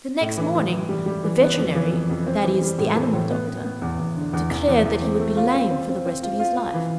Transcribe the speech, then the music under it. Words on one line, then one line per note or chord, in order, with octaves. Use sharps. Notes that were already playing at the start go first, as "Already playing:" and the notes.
The next morning the veterinary--that is, the animal doctor--declared that he would be lame for the rest of his life.
A2
E3
E3
E3
G3
G3
E3
B3
F2
E3
F2
F2
C4
E3
G3
A2
E3
A2
B3
B3
B3
E2
E2
D3
E2
E2
E2
E2
C4
A3
F4
C4
C4
C4
C4
F4
F4
F4
E3